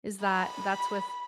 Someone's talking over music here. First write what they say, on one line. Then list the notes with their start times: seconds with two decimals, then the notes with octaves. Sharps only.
is that that's with,
0.24 B5